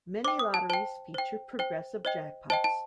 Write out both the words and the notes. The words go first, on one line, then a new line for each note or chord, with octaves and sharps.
Many lotteries feature progressive jackpots.
C5 G5 D6
D#6
A5
C5 G5 A5
C5 G5
C5 G5
C5 D#5 G5
C5 D#5 G5 A5
A5